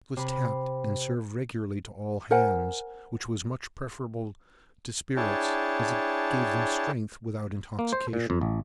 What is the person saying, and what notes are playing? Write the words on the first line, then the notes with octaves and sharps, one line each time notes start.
This was tapped, and served regularly to all hands, which was much preferable to spirits, as it gave them strength without intoxication.
C3 B5
A#4 C5 F#5 G#5
D4 E4 G#4 C#5 G5 A5
A#3
C5
A#2
F2
A1